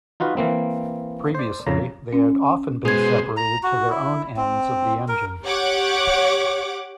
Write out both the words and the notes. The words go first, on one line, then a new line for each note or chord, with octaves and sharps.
Previously they had often been separated to their own ends of the engine.
D#4 F4 F#4 B4
E3 A#3 C4
C5 D5
F2 C#3 A#5
C#4
B2 G#3 G#4 C5 G#6
A#5
F#4
E4
C4
A#4
G4 C#5 F#5 D6